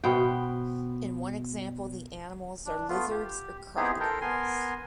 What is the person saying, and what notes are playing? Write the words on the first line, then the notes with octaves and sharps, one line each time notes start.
In one example the animals are "lizards or crocodiles".
B2 B3 C5 G5
D4
A3 B3 F4
G4
B3 C4 D#4 E4 G4 G#4
A4 A#4 C5 G5
B3 A#4 G#5 C6